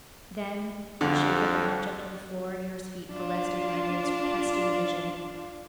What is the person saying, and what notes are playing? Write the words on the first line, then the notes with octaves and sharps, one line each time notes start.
Then the shape of an object on the floor near his feet arrested Lanyard's questing vision.
F2 D3
D4 F4